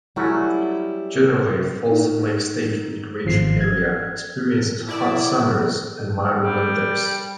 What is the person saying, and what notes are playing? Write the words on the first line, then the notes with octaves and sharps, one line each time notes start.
Generally, Folsom Lake State Recreation Area experiences hot summers and mild winters.
F#3 G3 A3 C#4 E4
D#4
G#1 F3 C7
G#6
E4 D5
G3